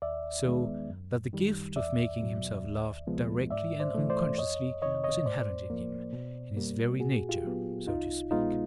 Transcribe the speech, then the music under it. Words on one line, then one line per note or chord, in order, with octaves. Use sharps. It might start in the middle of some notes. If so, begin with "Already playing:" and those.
So that the gift of making himself loved directly and unconsciously was inherent in him, in his very nature, so to speak.
D#2 D5 E5
D#3 G#3 B3
F#2
D#3 G3
E2 D5 E5
B2 F#3
D2
C3 F3 G#3 B3
G#2 D5 E5
C5 D5
E3 A3
C5 D5
F2 C#5 D#5
C3 D#3 C#5 D#5
C#5 D#5
A2 C5 D5
F3 A#3
B2
G3 A#3
A#2 F#4 G#4
F4 G4
F#3 B3
C2 D#4 F4
B2 G#3 B3 D#4 F4